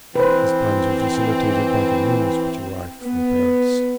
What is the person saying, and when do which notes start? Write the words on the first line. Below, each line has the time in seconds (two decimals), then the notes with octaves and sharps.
His plans were facilitated by the news which arrived from Paris.
0.16 E3 C4 B4 C5
3.01 B3